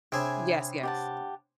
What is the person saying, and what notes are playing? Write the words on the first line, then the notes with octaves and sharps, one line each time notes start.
Yes, yes.
C3 D4 G#4 C#5 E5 G#5 B5
G4 F#5 A5